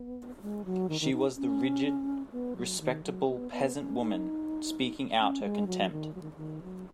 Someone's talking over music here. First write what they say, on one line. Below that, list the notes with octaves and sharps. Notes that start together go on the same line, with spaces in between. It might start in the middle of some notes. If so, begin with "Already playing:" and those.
She was the rigid, respectable peasant woman, speaking out her contempt.
Already playing: B3
G#3
F#3
D#3
D#3
D#4
C#4
B3
F#3
D#3
F#3
B3
B3
C#4
D#4
C#4
G#3
F#3
D#3
F#3
D#3
D#3
F#3